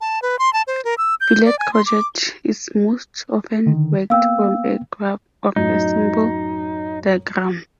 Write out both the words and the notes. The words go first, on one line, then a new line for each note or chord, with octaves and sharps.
Filet crochet is most often worked from a graph or a symbol diagram.
A5
B4
C6
A5
C5
A#4
E6
G6
D5
G#5
C6
D6
D3 D#3
A#3 B3 F5 G5 E6
F#2 A2 D#4